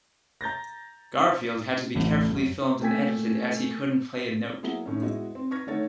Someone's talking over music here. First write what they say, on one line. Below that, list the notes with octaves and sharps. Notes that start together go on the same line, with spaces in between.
Garfield had to be carefully filmed and edited as he couldn't play a note.
A#5 G6 A6 A#6
A1 D2 A2
F#2
A3 A#3 G5 G#5 G#6 B6
F#3 A#3 B3 E4 G#4
A2 D#3 C#4
G#3 B3 E4 F#4 D#5
C4
B4 C#6 F6 G#6 A#6
D3 D#3 A3 C#5 A6